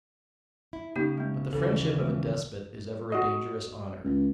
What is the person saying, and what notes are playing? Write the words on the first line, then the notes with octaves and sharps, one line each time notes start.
But the friendship of a despot is ever a dangerous honour.
E4
C#3 A#3 D#4 G4
G#3 C4
D#2 C#3 E3 A4
G#3
F#4 D#5
C#2